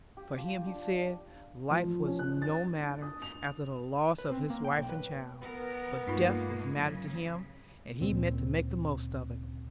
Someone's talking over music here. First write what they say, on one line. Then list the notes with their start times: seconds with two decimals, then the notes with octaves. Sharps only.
For him, he said, life was no matter, after the loss of his wife and child; but death was matter to him, and he meant to make the most of it.
0.17 G4
0.38 F3
0.66 D4
1.70 F3
2.06 C#4
2.19 F#6
2.42 A6
2.81 D4
3.02 D#6
3.22 F7
4.18 B4
4.31 C4
4.50 A#3
4.64 G5
4.77 B1
4.89 B4
5.42 B3 A#4
6.07 G2 G#3 A#3 D#4 F4 B5
6.78 C#3 F#3
8.01 D2 A#2 C#3 C4